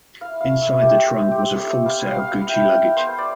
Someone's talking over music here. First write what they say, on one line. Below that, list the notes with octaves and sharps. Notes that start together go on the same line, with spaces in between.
Inside the trunk was a full set of Gucci luggage.
E4 F5
F5
A3
E5
A3
G4
C4 A4
C4 G4
A3 A4
B3 F5
F5
B3
F5
E4
G5
E4 F5
B3 C5
D5